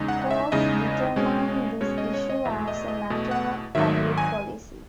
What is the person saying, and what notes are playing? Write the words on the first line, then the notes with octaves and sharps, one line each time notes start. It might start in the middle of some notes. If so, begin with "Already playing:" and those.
Courts determine this issue as a matter of public policy.
Already playing: E2 C#3 G#3 D#4
F#5
F#5
E5
E2 C#3 G#3 D#4 D#5
B2 G#3 C#4
B2 G#3 C#4 C#5
D#5
C#5
D#5
E2 B2 A3 E5
D#5
D#5
E2 B2 A3 D#5
F#5
G#1 G#2 D#3 F#3 E5
G#5